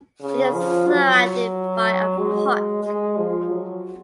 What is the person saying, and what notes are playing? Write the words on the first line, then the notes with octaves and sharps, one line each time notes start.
It is surrounded by a park.
C#3
F3
F#3
G#3
G#3
F3
F#3